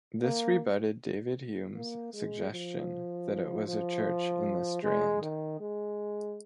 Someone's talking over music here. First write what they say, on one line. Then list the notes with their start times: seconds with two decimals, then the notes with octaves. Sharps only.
This rebutted David Hume's suggestion that it was a church in the Strand.
0.22 A#3
1.75 A#3
2.14 G#3
2.52 F3
3.68 F3
4.83 G#3
5.22 D#3
5.60 G#3